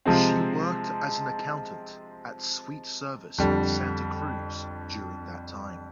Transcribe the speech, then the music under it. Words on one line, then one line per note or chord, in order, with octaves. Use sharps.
She worked as an accountant at Sweet Service in Santa Cruz during that time.
C3 F3 G#3 C4
F2 D3 G3